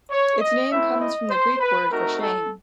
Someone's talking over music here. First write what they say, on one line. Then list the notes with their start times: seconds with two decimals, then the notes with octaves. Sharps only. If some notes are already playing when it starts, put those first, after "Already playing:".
Its name comes from the Greek word for "shame".
0.11 C#5
0.40 D#5
0.70 A3 C4 E4 E5
1.00 D#5
1.30 C5
1.60 B4
1.89 A3 C4 D#4 F#4 A#4
2.19 A4